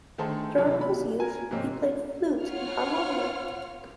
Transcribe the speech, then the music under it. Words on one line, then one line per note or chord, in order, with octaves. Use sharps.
During his youth he played flute and harmonium.
D3 D#3 A3 G#4 A4 C5
E1 C3 F#3 F4 A4
B2 B5
A#4 G#5
G#2 C3 F3 A#3 C4 C#4
F4 C#5 F#5 F6